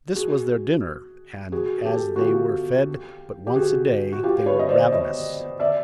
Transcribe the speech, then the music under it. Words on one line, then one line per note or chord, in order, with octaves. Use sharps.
This was their dinner, and as they were fed but once a day they were ravenous.
F#4 G#4
F#4 G#4
G#4
G4 A4
F#4
F4 G4
G4
F#4 G#4
F#4
F4 G4
B4 C#5
D#5
C5 D5
C#5 D#5
D5 E5